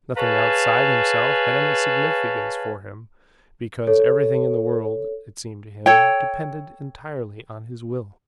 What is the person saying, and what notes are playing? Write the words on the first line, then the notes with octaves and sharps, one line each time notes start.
Nothing outside himself had any significance for him, because everything in the world, it seemed to him, depended entirely on his will.
G#4 B4 C#5 F5 G#5 A5
A4 C#5
A4 C#5 G5